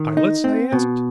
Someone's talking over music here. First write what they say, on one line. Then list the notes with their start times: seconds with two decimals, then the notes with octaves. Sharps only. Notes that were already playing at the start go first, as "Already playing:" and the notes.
"Pilots?" I asked.
Already playing: D#3
0.17 D#4
0.44 C4
0.72 B2